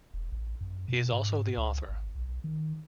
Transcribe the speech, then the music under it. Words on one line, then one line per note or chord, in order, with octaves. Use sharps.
He is also the author.
E1
A1
F#2
B2
G#2
C#2
G#1
B1
D#3